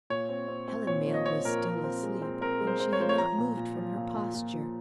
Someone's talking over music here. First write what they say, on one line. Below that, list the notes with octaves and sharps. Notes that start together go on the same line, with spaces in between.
Helen Mayle was still asleep, and she had not moved from her posture.
A#2 C#5
C4
C4
C4
A#2 C#5
F3
D#5
C4 C#5
A#2 A#4
F3
C4
G#3
C4
C4 A#4
G#3
C5
C4
C#5
F3 C5
C#5
F3 A#5
A#2
A#2
F3
A#2
A#2
A#2
F3